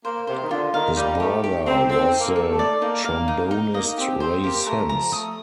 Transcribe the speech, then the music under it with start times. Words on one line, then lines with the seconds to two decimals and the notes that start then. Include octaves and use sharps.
His brother was the trombonist Ray Sims.
0.04 A#3 C5
0.27 C3 C5
0.42 D#3
0.50 D3 F4
0.74 D#3 F5
0.96 G3 D#4
1.19 A3 G4
1.44 G4
1.66 C4 D#4
1.89 C4 A4
2.12 D#4
2.20 A#3
2.36 A4
2.50 A3
2.59 D5
2.81 A#3 D#4
3.05 F5
3.28 D#4
3.51 D#4
3.74 A#3 D#5
3.98 C4 G4
4.20 C4 C5
4.43 A#3 G4
4.66 A3 A#5
4.89 F3 A#5
5.13 A3 D#6